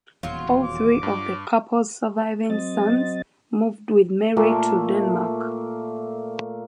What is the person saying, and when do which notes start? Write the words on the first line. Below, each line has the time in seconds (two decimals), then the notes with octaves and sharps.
All three of the couple's surviving sons moved with Mary to Denmark.
0.23 D#1 E2 F3 F#3 F4
0.63 D6
1.03 G2
2.50 F#3 C4 D#5 A6
4.37 A#2 A3 A#3